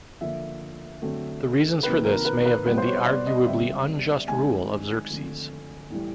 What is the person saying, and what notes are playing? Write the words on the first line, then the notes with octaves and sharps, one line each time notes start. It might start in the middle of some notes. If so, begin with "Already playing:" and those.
The reasons for this may have been the arguably unjust rule of Xerxes.
D3 F3 A#3 E5
D3 F#3 A3 C4
C3 D#3 F#3 A#3 B4
A#4
B4
B4
B2 G3 B3 B4
C5
C#5
D5
D#5
D3 G3 C4 E5
D#3 G#3 C4 G#5
D3 F3 A3 C4
A2 E3 G3